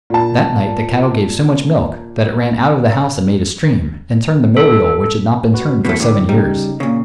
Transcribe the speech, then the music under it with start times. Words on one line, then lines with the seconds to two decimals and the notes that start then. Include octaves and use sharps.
That night the cattle gave so much milk that it ran out of the house and made a stream, and turned a mill wheel which had not been turned for seven years!
0.10 A#2 A5
4.57 A4
5.54 F#4 B4
5.85 B2 E3 A3
6.00 A2 D3 E4
6.29 C#3 G3 D#4
6.80 A#2 C#3